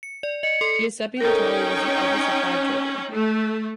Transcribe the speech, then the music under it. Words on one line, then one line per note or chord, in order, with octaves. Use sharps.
Giuseppe Vitali was the eldest of five children.
C#7
D5
D#5 C#7
A4 C6
C#4 D#4 A4 A#4 G5
A3